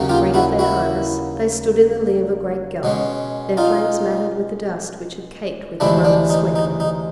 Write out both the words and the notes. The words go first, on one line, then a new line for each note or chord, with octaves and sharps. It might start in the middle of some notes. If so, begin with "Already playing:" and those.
Freed of their harness, they stood in the lee of a great gum, their flanks matted with the dust which had caked with the run of sweat on them.
Already playing: D#2 C#3 F#3 A#3 C#4
F4 G4
E4 F#4
E4 F#4
B2 G#3 C#4
D#4 F4
D2 C3 E3 G#3 D4 E4
D4
D#4
D#4
D#4